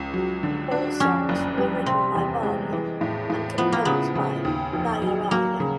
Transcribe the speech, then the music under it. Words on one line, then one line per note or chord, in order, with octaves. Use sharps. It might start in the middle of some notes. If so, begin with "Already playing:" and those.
All songs were written by Vaali and composed by Ilaiyaraaja.
Already playing: C#2 C#4
F#3
D3
D4
F2 C#4
F#1
G3
C3 C4
E2
G#3
E3
A2
A2
F3 B3
A#3
C#3 B3
C#3
D#2
F1
F#3
F#3 A#3
C#3